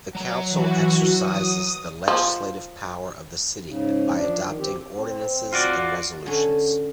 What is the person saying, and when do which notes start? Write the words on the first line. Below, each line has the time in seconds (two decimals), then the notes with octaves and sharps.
The council exercises the legislative power of the city by adopting ordinances and resolutions.
0.15 F#3 A#5
0.50 E3 F#4
1.19 D#6
2.08 F3
3.66 G#2 C#3
4.13 F3 D4
4.44 D#3
4.59 C4 G4
4.99 C4
5.53 F4 F#4 D5
6.26 D3 C#4